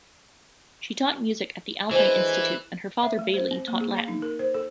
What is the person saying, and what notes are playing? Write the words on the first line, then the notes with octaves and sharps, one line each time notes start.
She taught music at the Alpine Institute, and her father, Bailey, taught Latin.
D3 E3 F#3 G#3 C5 G#5
E5
A3
C5
C4
A#3
G#4
F5
D#4
A#4
C5
A4